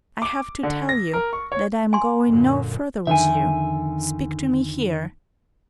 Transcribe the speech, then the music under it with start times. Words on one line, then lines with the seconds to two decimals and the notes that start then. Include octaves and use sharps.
I have to tell you that I am going no further with you. Speak to me here.
0.22 D6
0.63 D3
0.89 A#6
1.13 A#4
1.33 C#6
1.52 C#5
1.93 G#5 C6
2.26 F#2 A#2 D3
3.07 F2 D3 D#3 E5 G#5